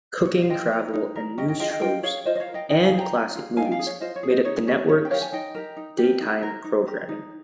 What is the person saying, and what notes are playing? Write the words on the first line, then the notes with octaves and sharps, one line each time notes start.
Cooking, travel and news shows and classic movies made up the network's daytime programming.
C5
C#5
D#5
F5
F4 D#5 G5
A#4
D#4
A#4
C#4 D#5 G5
D#5 G5
F4 G#4 D#5 G5
D#5 G5
F4 D#5 G5
G#4 C#5 F5
F4 C5 D#5
D#5
C#5 F5
A#4
D#5 G5
D#4 D#5 G5
F5 G#5
G#4
G5 A#5
C#4
F4 G#4
D#4 F5 G#5
G5
F5 G#5
G#4
C#5 F5
F4 C5 D#5
C#5
G#4
C5 D#5
D#4 C#5
G#4 C#5
C#4 C#5
G5
G4 A#4 C#5 F5
G#5
D#4 D#5 G5
G4 A#4
D#4
G4 A#4
D#4
A#4
D#4
G4 A#4
D#4